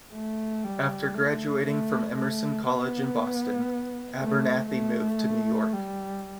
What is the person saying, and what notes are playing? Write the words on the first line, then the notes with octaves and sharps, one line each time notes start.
After graduating from Emerson College in Boston, Abernathy moved to New York.
A3
G3
A3
A3
A3
B3
A3
A3
G3